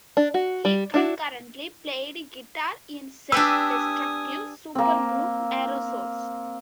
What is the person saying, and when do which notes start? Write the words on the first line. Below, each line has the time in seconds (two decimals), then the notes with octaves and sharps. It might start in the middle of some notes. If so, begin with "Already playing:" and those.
He concurrently played guitar in self-destructive supergroup Aerosols.
0.17 D4
0.34 F#4
0.65 G3
0.94 D4 E4 F#4
3.32 D4 G4 B4 G#5 D#6 E6
4.75 A#3 C4